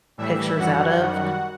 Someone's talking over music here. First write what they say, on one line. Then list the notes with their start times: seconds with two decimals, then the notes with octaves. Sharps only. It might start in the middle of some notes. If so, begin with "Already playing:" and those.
pictures out of.
0.17 A2 E3 G3 E5
0.57 F#2 E3 G3 F#4 F#5
0.97 F#2 D#3 G3